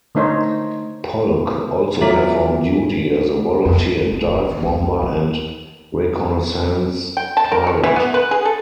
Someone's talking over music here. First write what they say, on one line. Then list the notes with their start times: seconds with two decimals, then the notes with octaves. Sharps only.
Polk also performed duty as a "volunteer" dive bomber and reconnaissance pilot.
0.15 D3 A3 D#4 C5 C#5
2.01 F#3 A#3 F4 A4 E5
3.65 F2
3.83 A1
4.12 A3
4.24 D1
4.36 C4
4.51 D#3
4.65 C#2
4.82 E3
5.03 E3
7.17 G5
7.37 A5
7.52 A#4
7.67 C#5
7.84 E3
7.96 B3
8.14 B4
8.31 G#4
8.45 A4